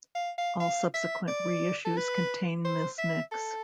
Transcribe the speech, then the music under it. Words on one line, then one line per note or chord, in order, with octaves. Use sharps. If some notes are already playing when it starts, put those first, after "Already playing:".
All subsequent reissues contain this mix.
F5
F5
F5
E5
D5
A4
B4
C5
E5
A4